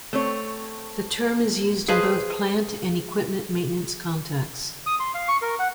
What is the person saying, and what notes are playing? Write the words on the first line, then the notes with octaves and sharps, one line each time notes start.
The term is used in both plant and equipment maintenance contexts.
A3 C4 C#5
G#4 B4 C5 D#5 F5 A5
D#6
C6
F5
C#6
A#4
F#5